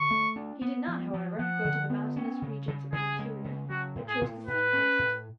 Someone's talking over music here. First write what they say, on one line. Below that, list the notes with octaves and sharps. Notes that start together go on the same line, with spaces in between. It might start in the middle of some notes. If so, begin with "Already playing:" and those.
He did not, however, go to the mountainous regions of the interior, but chose the sea-coast.
Already playing: D3 C#6
A3
D4
B3
F3
F3
F3 F#5
D3
B3
C#4
C#3
C#3
C#3 G#4
G#3
C#3
F#3 F#4
A2
G#4
A2
A2 B4
C#4
A2